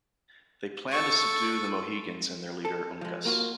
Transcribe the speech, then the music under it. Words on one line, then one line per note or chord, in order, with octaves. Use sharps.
They planned to subdue the Mohegans and their leader Uncas.
A4 C#6
A4
F3 G#3
A#3 F4 F#4